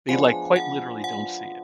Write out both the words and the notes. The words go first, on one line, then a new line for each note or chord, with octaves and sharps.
they like quite literally don't see it.
F3 G#3 B3 D4 G#5
F#5
F#5